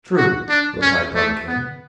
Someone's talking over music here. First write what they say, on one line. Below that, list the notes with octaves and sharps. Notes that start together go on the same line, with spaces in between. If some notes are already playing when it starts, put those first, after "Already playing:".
"True," replied Barbicane.
F#4
D4
C#4
A3
B3